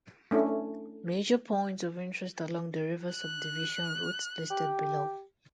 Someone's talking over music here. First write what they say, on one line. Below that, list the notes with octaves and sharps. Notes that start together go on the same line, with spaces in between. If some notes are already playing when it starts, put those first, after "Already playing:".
Major points of interest along the River Subdivision route listed below.
A3 C#4 D4 E4
F#6
G4